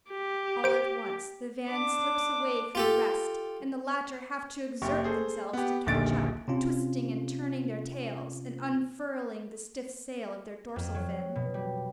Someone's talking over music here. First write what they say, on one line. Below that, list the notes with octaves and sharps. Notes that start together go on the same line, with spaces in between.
All at once the van slips away from the rest, and the latter have to exert themselves to catch up, twisting and turning their tails, and unfurling the stiff sail of their dorsal fin.
G4
C5 D7
D4 D6
F4 G4 A4
F#1 G4 C#6
G#4 A4 C5
B3 G4
D#1 A#1 D3 D#3 A6 D7
C3 C4 C#4 F4
F2
F#3
B2
G3